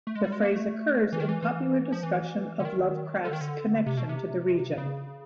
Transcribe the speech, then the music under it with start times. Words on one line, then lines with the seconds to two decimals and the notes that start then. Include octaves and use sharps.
The phrase occurs in popular discussions of Lovecraft's connection to the region.
0.07 A3
0.15 G#3
0.24 G3
0.32 G#3
0.43 A#3
0.52 A3
1.12 E3
1.20 D#3
1.29 E3
1.42 E3
1.92 F3
2.03 E3
2.60 D3
2.65 D#3
3.25 D3
3.33 D#3
3.41 D3
3.86 C3
3.97 B2
4.09 C3
4.78 C#3